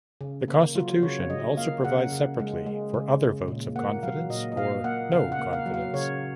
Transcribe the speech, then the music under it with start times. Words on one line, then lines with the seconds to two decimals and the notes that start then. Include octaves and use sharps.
The Constitution also provides separately for other votes of confidence or no confidence.
0.21 C#3
0.48 A#3
0.75 F#3 F4
1.03 C#3 C#5
1.30 C#3 D#5
1.57 A#3 F5
1.84 C#3 F#5
2.12 C#3
2.39 G#3
2.66 G#3
2.94 C#3
3.21 C#3
3.48 A#2
3.76 A#3 F#5
4.03 F#3 F5
4.30 A#2 D#5
4.52 D#5
4.57 A#2 F5
4.84 A#3 F#5
5.12 C#3 F5
5.32 F#5
5.39 A#3
5.53 F5
5.66 F#3
5.74 F5
5.94 C#3 C#5